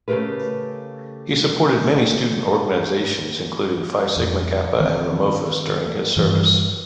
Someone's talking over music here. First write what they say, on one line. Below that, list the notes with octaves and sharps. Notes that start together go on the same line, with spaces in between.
He supported many student organizations including Phi Sigma Kappa and Romophos during his service.
C#3 A3 D#4 G4 A#4 B4
F2
D#3 C4
G2 E3 F3 G3